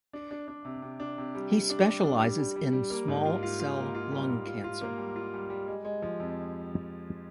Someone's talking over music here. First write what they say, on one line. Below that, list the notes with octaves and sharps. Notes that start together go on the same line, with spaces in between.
He specialises in small cell lung cancer.
D4
D4
D4
C3
C3
D4
C3
G3
G3
D4
G3
D4
G3
G3
G3
G3
A#3
G#2
F4
F4
F4
A#3
F4
G3
G#2
F4
F4
A#3
G3
F4
G3
G3
G#3
G#3
F3
F2